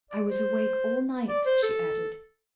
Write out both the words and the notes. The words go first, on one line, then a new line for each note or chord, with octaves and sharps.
"I was awake all night," she added.
D5
C5
D5
C5
A4